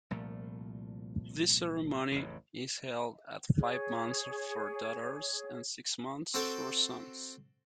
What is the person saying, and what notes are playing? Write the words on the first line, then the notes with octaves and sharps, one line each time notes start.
This ceremony is held at five months for daughters, and six months for sons.
C2 A#2 F3 A3
A1 F2 C#3
G#4 C#5
C4 F#4 A4 C5 G5 A5